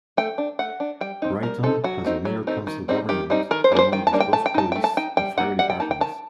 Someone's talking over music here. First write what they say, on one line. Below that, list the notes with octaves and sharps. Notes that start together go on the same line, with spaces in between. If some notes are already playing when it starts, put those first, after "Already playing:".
Brighton has a Mayor-council government, along with both Police, and Fire Departments.
A3 G5
D4
A3 F#5
D4
G3 G5
C4 D#4
G3 A#4
C4 D#4 A4
F#3 F#4
A3 C4 D#4
F#3
A3 C4 D#4
D#3
G3 C4 D#4
D#3 G4
G3 C4 D#4
D#3 A#4
C5
G3 A#3 D4
C5
D#3 G5
A5
G3 A#3 D4
G5
A3 A5
G5
D#4 A5
A3 G5
A5
D#4 G5
G3 G5
A#3 D#4 F#5
G3 F#5
G5
A#3 D#4 A5
G5
D#3 A5